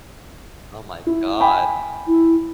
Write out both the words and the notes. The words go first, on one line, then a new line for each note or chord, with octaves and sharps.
Oh my god.
E4
G5 G#5 B5
E4